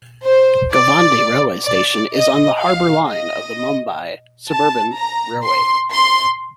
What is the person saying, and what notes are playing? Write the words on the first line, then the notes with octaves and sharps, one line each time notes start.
Govandi railway station is on the Harbour Line of the Mumbai Suburban Railway.
C5
D5
D5
D#5
F5
D#5
A5
A#5
C6
C6